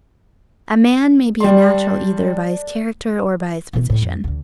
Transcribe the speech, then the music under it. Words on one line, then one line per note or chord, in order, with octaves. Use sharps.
A man may be a natural either by his character or by his position.
D3 G3 D4 D5 C6
B2 E3
A2
F2
D2 D3